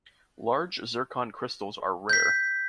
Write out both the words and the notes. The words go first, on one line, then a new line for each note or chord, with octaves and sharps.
Large zircon crystals are rare.
G6 B6